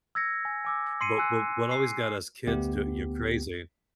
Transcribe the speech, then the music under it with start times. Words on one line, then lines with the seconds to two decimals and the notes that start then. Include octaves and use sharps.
but but what always got us kids d you crazy
0.15 E6 G#6 A#6 C#7
0.45 G#5
0.65 G#5 D6 E6
1.01 C6 C7 C#7 D#7
1.18 G#5 E6 F#6
1.71 C7
2.47 D2 B3 G4